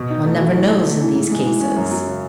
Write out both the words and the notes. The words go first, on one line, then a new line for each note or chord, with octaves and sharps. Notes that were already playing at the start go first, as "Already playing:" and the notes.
One never knows in these cases.
Already playing: B2
D#4
A3
F#4
E3
D#4
A3
E3
G#2
G#3
E3
C#4
F#2
F#3
C#3